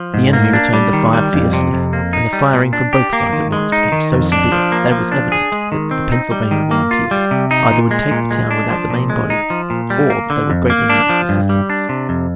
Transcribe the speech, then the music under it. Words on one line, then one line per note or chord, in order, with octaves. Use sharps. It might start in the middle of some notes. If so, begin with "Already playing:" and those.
The enemy returned the fire fiercely, and the firing from both sides at once became so severe that it was evident the Pennsylvania Volunteers either would take the town without the main body, or that they would greatly need its assistance.
Already playing: F3
G#2
A#3
D4
G3
D#3
G3
F2
C3
F2
A#3
D#4
G3
A#2
D4
G4
A#3
D#3
G#3
D#4
D#3
F2
D4
F3
A#3
F3
D4
G#4
G#3
D#3
C4
D#4
G3
D#3
A#3
F4
G3
C3
D#4
A#2
G#3
A#2
G#3
D4
F3
A#2
G#3
D#4
F3
A#2
G3
A#3
D3
F2
A#3
D4
F3
G2
G3
D4
C3
F2